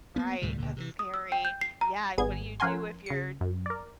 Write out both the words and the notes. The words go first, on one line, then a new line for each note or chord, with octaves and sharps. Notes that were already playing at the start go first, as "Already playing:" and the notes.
Right, that's scary. Yeah, what do you do if your
A#3 B3 C#4
D2 A2 C3 G3
C#2 A#2 D3
C3 D#3 E3
D#6
E6
G5
G6
C7
A#5
G#1 G3 B3 G#4 G#6
F3 C#4 A#4 F#5 G#5 C6
C#3 C#7
F#2
A#4 D5